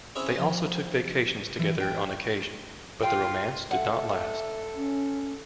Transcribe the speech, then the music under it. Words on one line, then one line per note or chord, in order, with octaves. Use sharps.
They also took vacations together on occasion, but the romance did not last.
C4 C#4 E4 G#4 C#5
F3
E3
G5
F4 G5
A4 E5 F#5
C#4